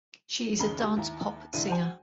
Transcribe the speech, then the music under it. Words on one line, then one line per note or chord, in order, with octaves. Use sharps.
She is a dance-pop singer.
F#1 D#2 C#3 D#4 B5 G7
G4
D#2 E4 A#5
E1 C2 D3 E3 E4 D#7
F#4 C5 G5 G#5